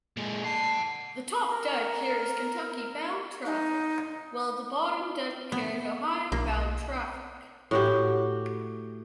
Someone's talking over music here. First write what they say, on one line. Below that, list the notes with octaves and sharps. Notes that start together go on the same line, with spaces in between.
The top deck carries Kentucky-bound traffic while the bottom deck carries Ohio-bound traffic.
A#2 G#3
F#5 A5 C7
A#4
D#4
B3
B1 A#3
A2 F#4 G4